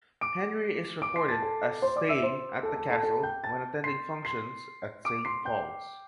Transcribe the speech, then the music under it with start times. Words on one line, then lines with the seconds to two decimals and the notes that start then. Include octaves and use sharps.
Henry is recorded as staying at the castle when attending functions at Saint Paul's.
0.21 D6 D7
1.02 D6 D7
1.16 C6 C7
1.28 A5 A6
1.42 A4 A5
1.82 C5 C6
1.96 D5 D6
2.09 E5 E6
2.23 C5 C6
2.63 A4 A5
2.76 A4 A5
2.90 A4 A5
3.03 A4 A5
3.23 G5 G6
3.44 A5 A6
3.84 C6 C7
4.25 C6 C7
5.05 D6 D7
5.25 C6 C7
5.45 G5 G6